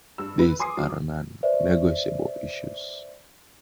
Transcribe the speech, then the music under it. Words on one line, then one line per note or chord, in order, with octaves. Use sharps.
These are non-negotiable issues.
G2 E6
B4
G#5 C6 D6 D#6 C7
F#3
B4 C5 D5 E5